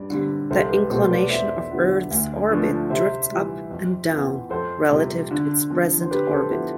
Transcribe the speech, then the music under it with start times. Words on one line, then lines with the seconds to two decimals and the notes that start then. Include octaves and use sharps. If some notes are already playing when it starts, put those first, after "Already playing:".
The inclination of Earth's orbit drifts up and down relative to its present orbit.
Already playing: G2 D5
0.10 D3 G3 C4
0.50 C2 A4 C5
0.70 G4 B4
0.90 B2 A3 C4 G4 A4 C5
1.10 B4 D5
1.30 E2 C5 E5
1.70 D3 G3 B3 F4
2.10 D2
2.51 D3 F3 A3 D4
2.90 C3 C5 E5
3.30 E3 G3
3.71 F2
4.10 E3 B3
4.50 F2 A4 C5
4.91 C3 G3 C4 G4
5.31 D3
5.70 F3 C4
6.01 C5
6.10 D3 G4 B4
6.30 A4 C5
6.50 F3 B3 E4 G4